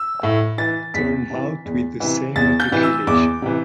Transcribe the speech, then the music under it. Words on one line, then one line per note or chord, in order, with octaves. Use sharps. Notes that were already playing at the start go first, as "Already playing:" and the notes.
Turnhout with the same matriculation.
Already playing: E6
A2
E3 A6
E2 B6
C3 E3
E2
C3 E3
E2 A6
G6
C3 E3
E6
E2 D6
C3 E3